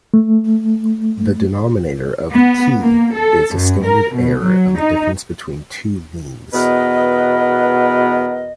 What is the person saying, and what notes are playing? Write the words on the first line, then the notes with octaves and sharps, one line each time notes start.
The denominator of "t" is the standard error of the difference between two means.
A3
B3
A#3
A4
F#2
A#4
B2
F#3
D#4
E2 B2 B3 A#4 B4 D#5